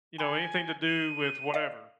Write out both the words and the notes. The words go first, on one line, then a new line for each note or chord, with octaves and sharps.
you know, “Anything to do with whatever,
G5 G#5 B5
D#7
D5 D#5 F5